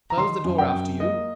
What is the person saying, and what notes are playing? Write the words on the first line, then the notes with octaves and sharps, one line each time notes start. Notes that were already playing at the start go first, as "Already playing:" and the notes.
'Close the door after you.
A#5
D#3 C6
F#2
G5
F#2
A#3 D#5